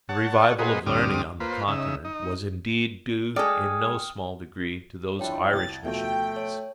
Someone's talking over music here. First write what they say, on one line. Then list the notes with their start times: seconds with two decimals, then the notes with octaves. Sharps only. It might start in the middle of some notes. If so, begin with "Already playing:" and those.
The revival of learning on the Continent was indeed due in no small degree to those Irish missionaries.
0.09 C#5 F#5 A5
0.59 A#2 F#4 G#4 B4 C5 D#5
0.86 D2 G2 C4 D6 D#6 F6
1.40 A#3 F4 B4 C5
1.68 C#3 D#4 E5
2.05 D#4
3.36 G#3 G#4 A4 D5 G5 D#6 F6
5.19 F3 D4 E4 C#5 G5 A5
5.53 C2 G#6 A6
5.85 B2 F3 A3 E5 G5
6.36 C#5